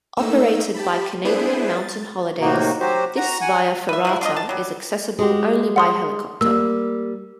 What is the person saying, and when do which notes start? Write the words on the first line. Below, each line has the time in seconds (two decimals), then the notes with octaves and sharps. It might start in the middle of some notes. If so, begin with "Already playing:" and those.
Operated by Canadian Mountain Holidays, this via ferrata is accessible only by helicopter.
0.17 A3 A#3 D#4 E6
0.74 G4 A5 B5
1.25 B3 D4 E4 G#4 B4 C5
1.76 A6
2.41 A2 C3 A#3 D#4 F#4
2.80 F#3 F#4 G4 C5
3.17 F#4 A#5
3.41 F#5 G#5
3.89 B4 E5
4.05 F3 G#3 E4
4.21 D4 F4 C5 D#5
4.36 A5
4.49 F#3 G3
5.19 G#3 F#4 G4
5.76 F#5 C6 D#6
6.41 G3 A#3 E6